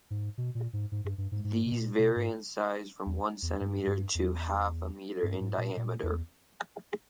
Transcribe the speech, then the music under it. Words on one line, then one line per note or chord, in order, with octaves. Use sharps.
These vary in size from one centimetre to half a meter in diameter.
G#2
B2
A#2
G#2
G#2
G2
G2
G#2
G#2
B2
A#2
B2
G#2
E2
E2
G2
G2
E2
G2
G#2
A#2
A#2
E2